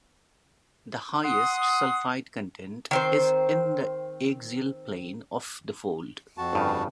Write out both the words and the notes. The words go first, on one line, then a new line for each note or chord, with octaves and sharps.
The highest sulfide content is in the axial plane of the fold.
F#5 C6 D#6
D#3 C4 C5
F2 F#4 A5
G1 G2 C#3